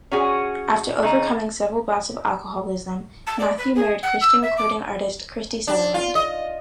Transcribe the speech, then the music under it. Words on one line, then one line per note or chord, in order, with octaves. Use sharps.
After overcoming several bouts of alcoholism, Matthew married Christian recording artist Christy Sutherland.
C#4 F#4 G#4
C#3 D#4
A5
D5
B4
G#4
F#5
E6
E5
D6
D4
F4
D#5